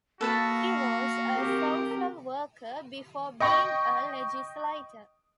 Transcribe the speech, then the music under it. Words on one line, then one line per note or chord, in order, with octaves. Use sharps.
He was a social worker before being a legislator.
A#3 F#4 A4 B4 D#5 F5 A5
C4 G4 A#4
D#5 G5 C#6 A#6